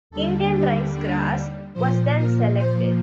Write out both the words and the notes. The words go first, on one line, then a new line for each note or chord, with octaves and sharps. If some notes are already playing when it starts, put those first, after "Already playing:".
Indian ricegrass was then selected.
D#2 D3 G3 A4
G4
D4
A#2 F3 C5
A#4
C5